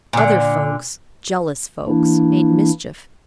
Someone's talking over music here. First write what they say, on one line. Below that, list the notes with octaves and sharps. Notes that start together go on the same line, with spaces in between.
Other folks--jealous folks--made mischief.
A#2 D3
E3 A#3 D4 E4